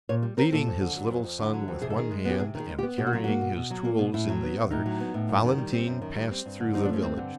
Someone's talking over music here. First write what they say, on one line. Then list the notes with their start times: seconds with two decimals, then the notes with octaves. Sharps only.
Leading his little son with one hand, and carrying his tools in the other, Valentine passed through the village.
0.09 A#2 C#5
0.23 G3
0.37 C4 A#4
0.52 A#2 A4
0.66 F2
0.81 D3
0.96 F#3
1.10 F2
1.24 F2
1.39 D3
1.53 F#3
1.68 F2
1.82 C3 G#4
1.90 A4
1.96 D#3 G#4
2.11 G#3
2.25 B3
2.30 G4
2.40 C3 G#4
2.55 D#3
2.60 G#4
2.69 G#3
2.79 G4
2.83 B3
2.98 B2 G4
3.06 F#4
3.13 F#3 F4
3.24 A#3 F#4
3.41 B2
3.56 B2
3.71 F#3
3.85 A#3
3.99 B2
4.14 A2 E4
4.28 F#3
4.43 B3
4.57 A2
4.71 A2 D#4
4.86 F#3
5.00 B3
5.14 A2
5.29 F#2
5.44 D#3
5.58 G3
5.73 C4
5.87 F#2
6.02 D#3
6.15 G3
6.31 C4
6.46 G2
6.60 D3
6.74 F3 D#4
6.85 D4
6.89 A3 C#4
7.03 G2 C4
7.17 D3